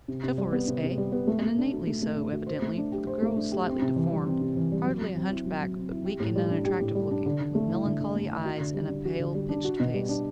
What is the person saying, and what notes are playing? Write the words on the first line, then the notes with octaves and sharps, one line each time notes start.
Chivalrous--eh?--and innately so, evidently, for the girl was slightly deformed: hardly a hunchback, but weak and unattractive-looking, with melancholy eyes, and a pale, pinched face.
C3
C3
G3
B3
C3
C3
G3
B3
A3
A3
D4
F#4
A3
A3
D4
F#4
C5
A3
D4
G4
C5
A3
D4
G4
C4
C3
E3
G3
C4
C3
E3
G3
F#3
F#3
C4
E4
F#3
F#3
C4
E4
G4
A2
G3
D4
G4
A2
G3
D4
D3
D3
A3
E4
D3
D3
A3
E4
F#4
D3
G3
D4
F#4
D3
G3
D4
F#4
B2
G3
D4